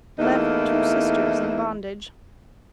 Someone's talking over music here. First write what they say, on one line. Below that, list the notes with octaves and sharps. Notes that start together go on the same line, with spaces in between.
Left two sisters in bondage.
E2 A3 A#3 D#4 E4